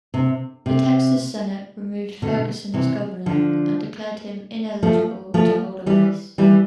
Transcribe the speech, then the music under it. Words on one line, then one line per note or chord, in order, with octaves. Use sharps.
The Texas Senate removed Ferguson as governor and declared him ineligible to hold office.
C3
C3
B2 D3
C3 E3
D3 F3
F3 A3
F3 A3
E3 G3
E3 G3